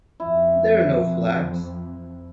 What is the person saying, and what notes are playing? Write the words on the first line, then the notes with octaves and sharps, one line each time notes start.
There are no flaps.
F2 E4